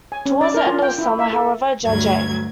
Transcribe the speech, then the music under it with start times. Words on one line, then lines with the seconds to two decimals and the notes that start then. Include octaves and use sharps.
Toward the end of the summer, however, Judge A.
0.12 G#5
0.26 C#4
0.41 D5
0.54 A#4
0.67 F4
0.82 G5
0.98 E4
1.19 E5
1.33 A4
1.84 D2 G2 F#3 G#6